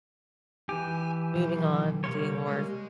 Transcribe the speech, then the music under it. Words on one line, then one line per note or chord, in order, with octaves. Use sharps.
moving on, doing more
E3 G4 G#5
B1 F#3
C3 G3 A#3 C#5 C6
G#3